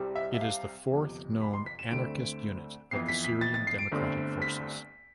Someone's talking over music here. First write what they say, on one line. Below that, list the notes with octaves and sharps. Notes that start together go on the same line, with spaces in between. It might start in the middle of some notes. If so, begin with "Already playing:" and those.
It is the fourth known anarchist unit of the Syrian Democratic Forces.
Already playing: C2 C3 G3 C4
E5
E5
F5
G1 F2 C3
B5
C6
B6
E7
D2 D3 A3 C4 D7
F2 E3 B3 C7
B6
B6
A6
A6
C7
D7
G1 G2 D3 A3 C4
B6